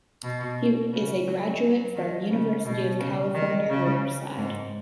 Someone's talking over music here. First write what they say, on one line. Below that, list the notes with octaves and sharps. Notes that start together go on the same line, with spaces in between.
He is a graduate from University of California Riverside.
B2
C#3
F#3
F#3
D#3
C#3
B2
C#3
D#3
C#3
G#2